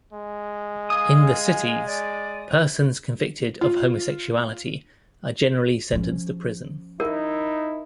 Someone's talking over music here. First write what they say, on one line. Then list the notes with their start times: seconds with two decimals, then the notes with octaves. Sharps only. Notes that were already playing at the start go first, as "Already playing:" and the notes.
In the cities, persons convicted of homosexuality are generally sentenced to prison.
0.13 G#3
0.90 F5 G#5 D#6
1.86 D5
3.61 F4
5.92 F3 C#4
7.00 D#4 E4 A#4